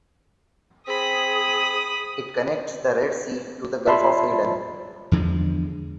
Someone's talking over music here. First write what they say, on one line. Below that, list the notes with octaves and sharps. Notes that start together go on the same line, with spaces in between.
It connects the Red Sea to the Gulf of Aden.
C4 G#4 B5 D#6
F4 D5 E5 A5 B5 C6
E2 D3 F3 G#3